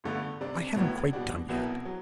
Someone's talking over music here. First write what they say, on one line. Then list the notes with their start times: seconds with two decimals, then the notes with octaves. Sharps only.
I haven't quite done yet.
0.04 G1 G2 D3 A3
0.41 C3 G3 D4
0.76 A2 F#3 B3 E4
1.13 B2 G3 D4 F#4
1.49 C2 B2 F#3 B3 E4
1.85 F#3